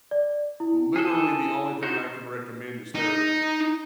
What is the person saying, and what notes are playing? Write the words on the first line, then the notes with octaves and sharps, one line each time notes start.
literally, the only thing I can recommend is therapy.
D5
E4
G#4 A4
D#4 F#4 C5
D#4